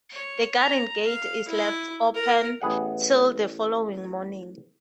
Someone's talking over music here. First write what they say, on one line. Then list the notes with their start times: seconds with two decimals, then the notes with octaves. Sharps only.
The garden gate is left open till the following morning.
0.13 C#5
0.57 A#5
1.06 F5
1.48 E4
2.14 A#4
2.60 A1 B3 G#4 F#5 G5